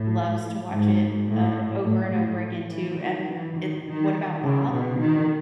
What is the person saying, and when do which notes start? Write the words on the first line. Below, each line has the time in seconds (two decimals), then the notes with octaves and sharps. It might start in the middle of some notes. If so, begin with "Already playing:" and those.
loves to watch it, uh, over and over again, too. And it What About Bob?
Already playing: A2
0.71 G#2
1.28 A2
1.85 A2
2.13 A2
2.71 E3
2.99 D#3
3.28 E3
3.57 D#3
3.86 D#3
4.43 C#3
4.71 B2
5.00 D#3